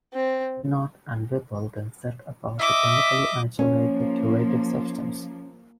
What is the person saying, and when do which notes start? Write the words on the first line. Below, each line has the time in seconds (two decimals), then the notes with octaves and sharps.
Minot and Whipple then set about to chemically isolate the curative substance.
0.13 C4
2.59 D#5 E5 D6
3.59 F3 A#3 C#4